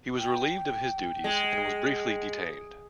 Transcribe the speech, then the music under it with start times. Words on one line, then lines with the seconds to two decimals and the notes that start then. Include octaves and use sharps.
He was relieved of his duties and was briefly detained.
0.18 G5
1.24 G#3